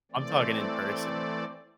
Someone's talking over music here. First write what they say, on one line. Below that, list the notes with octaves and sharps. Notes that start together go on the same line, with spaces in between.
I'm talking in person.
E3 A3 C4 D5